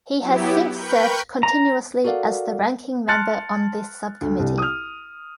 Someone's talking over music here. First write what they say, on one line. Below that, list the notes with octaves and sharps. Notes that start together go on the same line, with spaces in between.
He has since served continuously as the Ranking Member on this Subcommittee.
F#3 B3 E4 G4
A#4 B4 G5 B5 C#6 G6
A#5
F#4 A4 A#4 D5 F5 F#5
A5 C6 F6 F#6 A6 C#7
D2
C2
D#6 F6